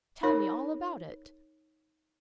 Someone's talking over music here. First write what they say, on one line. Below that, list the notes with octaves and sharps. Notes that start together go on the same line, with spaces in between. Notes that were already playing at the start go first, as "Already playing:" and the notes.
Tell me all about it.
D#4 A#4 C#5